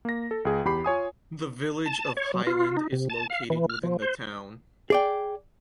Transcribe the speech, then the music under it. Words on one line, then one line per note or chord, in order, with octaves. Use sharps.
The village of Highland is located within the town.
A#3 A#6
A4
C#2 G#4
E2 G4 B5 C7
F4 C#5 G#5 D#6
A5
C#5
F#3
F4
D#4
C3
A5
F5
E3
F6
F3
C5
G#4 D5 G5